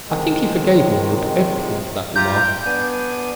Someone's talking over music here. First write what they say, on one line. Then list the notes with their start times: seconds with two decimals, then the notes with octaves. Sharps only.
I think he forgave Winwood everything for that remark.
0.08 F2 C3 D#3 G#3
2.16 F4 G4 A#5 G6
2.43 G5
2.65 B3 D4 G#5